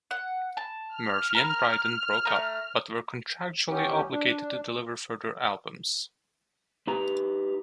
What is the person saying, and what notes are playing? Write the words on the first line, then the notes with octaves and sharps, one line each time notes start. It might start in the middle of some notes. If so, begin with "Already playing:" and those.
Murphy and Brydon broke up but were contractually obligated to deliver further albums.
F#5
A5
F6
A#4
A3 A#5
E3 B3 C#4 G4
D4
D#4 G4 B4 A#5